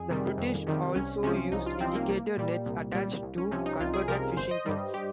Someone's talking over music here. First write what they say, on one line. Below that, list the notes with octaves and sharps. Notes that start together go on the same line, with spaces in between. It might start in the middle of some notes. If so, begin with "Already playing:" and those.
The British also used indicator nets attached to converted fishing boats.
Already playing: F2 G#4
C3 D#3 G3
F2
C3 D#3 G3
C2 C#4
C3 F3 C#4
C2 D#4
F4
C3 F3 C4
A#3
C2 A#3
A#2 G3
C2
A#2 G3
C2
C#4
C3 F3 C#4
D#4
C2 F4
G#4
C3 F3 A#4
G1 C5
D#5
G2 G3
G4